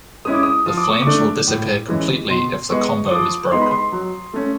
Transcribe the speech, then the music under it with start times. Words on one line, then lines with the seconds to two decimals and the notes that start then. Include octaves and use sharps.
The flames will disappear completely if the combo is broken.
0.25 G#3 C#4 E4 D#6
0.34 D6
0.43 D#6
0.66 F3 D#6
0.77 D6
0.90 C#6
1.02 A3 D4 D6
1.47 A2
1.88 E3 G#3 C#4
2.29 B2 C6
2.70 G#3 B3 C#6
3.06 D#6
3.11 F3 D6
3.51 G#3 B3 D#4 C6
3.61 B5
3.71 C6
3.92 F#3
4.33 A3 C#4